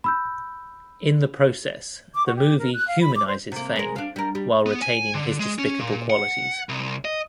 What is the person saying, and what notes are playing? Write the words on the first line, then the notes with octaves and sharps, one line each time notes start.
In the process the movie humanizes Feng while retaining his despicable qualities.
B5 E6 G6
D6
F#4
G4
A#4
F#6
F5
B5
D6
C5
C3 A#3
G#3 A#4
D4 F5
G3 A#4
G3
B3
G#5
D3
G#3
C#4
A#2
F#5
C2
D#5